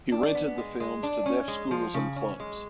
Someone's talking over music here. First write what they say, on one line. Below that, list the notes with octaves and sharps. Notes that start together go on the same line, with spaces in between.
He rented the films to deaf schools and clubs.
D4
B3
G#3
G#3
D4
C#4
G#3
F3
C#3
C#4
G#3